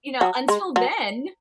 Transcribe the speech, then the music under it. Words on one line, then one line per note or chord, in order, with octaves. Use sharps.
you know, until then,
F#3
G#3
F#3